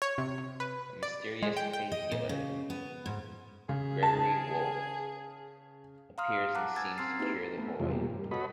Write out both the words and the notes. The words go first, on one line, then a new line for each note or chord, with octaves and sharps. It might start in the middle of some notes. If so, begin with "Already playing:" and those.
A mysterious faith healer, Gregory Wolfe, appears and seems to cure the boy.
C#5
C3
B4
D5
G#3
G5
G5
D#5
A#2
C#3
B3
G#2
C#3 G#4
A5
F5 A#5 C6 D#6 F6
F#5 A5 A#5 D6 F#6
G#5 A#5 E6 G#6 A6
C4 C6 E6 F6 A6 C7
A#3 D#4 E4 G4 G#4 B4
A3 B3
F2 C3 E3 G#3 A3 F4
B2 G3 A#3
G2
F#4 A4 B4 C#5 D#5 B5